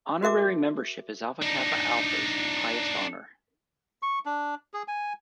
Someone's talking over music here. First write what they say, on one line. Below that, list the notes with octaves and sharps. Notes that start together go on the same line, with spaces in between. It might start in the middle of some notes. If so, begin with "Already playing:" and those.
Honorary membership is Alpha Kappa Alpha's highest honor.
F#4 A#4 E5 D6
D4 D#4
C#6
D4
G#4
G#5